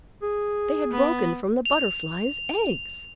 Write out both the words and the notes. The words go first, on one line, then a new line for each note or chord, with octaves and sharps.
They had broken from the Butterfly's eggs!
G#4
B3
F7